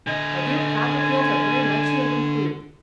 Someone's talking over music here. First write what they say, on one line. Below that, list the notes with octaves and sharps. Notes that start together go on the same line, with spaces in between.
My dear Copperfield, how very much you have improved!
D3 D#5 G#5